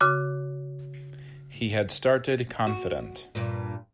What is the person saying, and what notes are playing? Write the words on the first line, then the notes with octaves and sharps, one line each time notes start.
He had started confident.
C#3 F#4 D6
F#4
G2 A#2